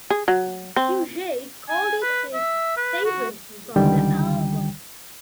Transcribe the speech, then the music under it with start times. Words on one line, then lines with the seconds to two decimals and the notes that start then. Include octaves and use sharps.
Puget called it his favorite from the album.
0.10 G#4
0.28 F#3
0.76 C4
1.69 G#5
2.02 B4
2.34 E5
2.77 B4
3.05 F#4
3.76 C#2 D3 D#3 G3 G5